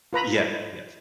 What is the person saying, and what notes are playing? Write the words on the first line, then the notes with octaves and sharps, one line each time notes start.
Yeah. Yes.
F4 B4 A#5 B5